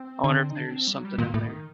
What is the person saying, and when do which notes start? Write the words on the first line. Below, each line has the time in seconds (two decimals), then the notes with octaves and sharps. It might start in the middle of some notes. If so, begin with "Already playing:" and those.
I wonder if there's something in there.
Already playing: C4
0.24 D3
0.50 D#4
0.55 D4
0.71 C4
0.87 G3
0.96 F#3
1.05 G3
1.18 A#2 D#3
1.34 A2
1.49 D#3